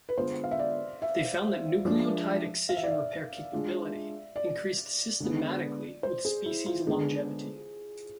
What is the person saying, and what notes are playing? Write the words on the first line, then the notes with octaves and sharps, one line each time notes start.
They found that nucleotide excision repair capability increased systematically with species longevity.
B4
D3 G#3 B3 F4 C5
F5
E5
D5
E5
F3 G#3 D4
F5
E5
D5
E5
G#3 D4 F4 G#4
D5
D3 G#3 B3
C5
G#4
E4
F4
D3 G#3 B3 D4 G#4